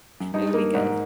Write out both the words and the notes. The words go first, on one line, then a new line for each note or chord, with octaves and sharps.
It'll be good,
F#2
G2 D#4
A#3
G#2